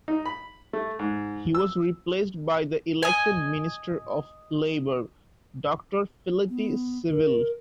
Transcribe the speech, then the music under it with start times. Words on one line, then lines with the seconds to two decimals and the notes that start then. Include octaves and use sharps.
He was replaced by the elected Minister of Labour, Doctor Feleti Sevele.
0.08 D#4
0.26 B5
0.73 A3
0.99 G#2
1.55 E6
3.03 D#5 G#5
6.49 B3
7.10 A#4